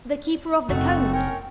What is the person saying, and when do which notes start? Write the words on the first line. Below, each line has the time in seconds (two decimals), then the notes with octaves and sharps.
The Keeper of the Cones!
0.69 F#1 A3 C4 D#4 F#4
1.13 C#4 A#4 G5